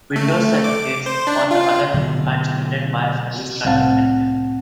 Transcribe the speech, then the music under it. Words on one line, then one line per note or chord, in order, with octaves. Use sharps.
Windows services, on the other hand, are started by Service Control Manager.
A3
D6
C5
D4
F4
B2 D3 F#3
C2 A2 C4 F5 F#5 A5